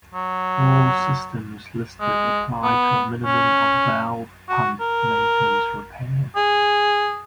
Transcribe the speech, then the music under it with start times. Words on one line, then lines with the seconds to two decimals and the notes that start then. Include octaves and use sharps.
All systems listed apply to a minimum of valve, pump maintenance repair.
0.14 F#3
2.01 G#3
2.63 B3
3.25 C#4
4.49 F#4
4.81 A#4
6.36 G#4